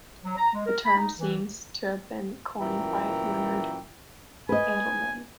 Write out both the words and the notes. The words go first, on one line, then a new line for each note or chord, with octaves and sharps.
The term seems to have been coined by Leonard Adleman.
F#3
A#5
G#3
A#4
B5
D#4
E3
F#2 A#2 E3 G5 A#5
B4 D#5 G#5